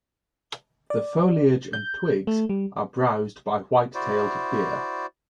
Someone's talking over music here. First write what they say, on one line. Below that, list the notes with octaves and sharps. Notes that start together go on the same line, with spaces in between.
The foliage and twigs are browsed by white-tailed deer.
D5
G6
A3
G3
E4 F#4 C5 D5